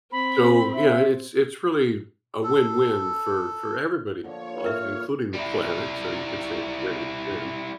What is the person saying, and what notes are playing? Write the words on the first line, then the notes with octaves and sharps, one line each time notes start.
So, yeah, it's it's really a win-win for for everybody involved, including the planet, so you could say it's win-win,
C4 B5
E5
A4
A#2 D3 F3 C#5
A#4 E5 F6
G3 E4